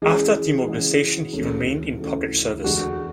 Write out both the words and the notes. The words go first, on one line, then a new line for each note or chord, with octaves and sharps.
After demobilization he remained in public service.
E3 G#3 C#4 F#4 G#4
E3 G#3 C#4 F#4
D2 C#3 E3 A3 C#4
D2 C#3 E3 A3 C#4
E2 D3 G#3 D4 F#4 G#4